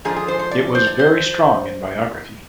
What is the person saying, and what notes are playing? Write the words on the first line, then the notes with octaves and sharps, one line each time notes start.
It was very strong in biography.
G#2 F3 G#3 D4 G#4
G#4
C5
C5
D5
C5
D5
C5